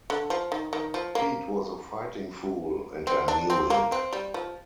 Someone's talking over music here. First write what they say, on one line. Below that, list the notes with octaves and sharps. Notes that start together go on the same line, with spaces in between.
Pete was a fighting fool and I knew it.
D3
F3
D#3
D#3
F3
A#3
C4
D4
C4
A#3
C4
G3
F3